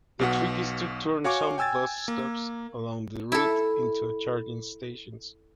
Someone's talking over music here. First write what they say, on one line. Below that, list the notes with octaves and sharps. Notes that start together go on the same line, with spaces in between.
The trick is to turn some bus stops along the route into charging stations.
B1 B2 F#5
F#4 C#5 F5 G#5 C#6 D6
G5 G#5 E6 G#6 A6
A#3
E4 A4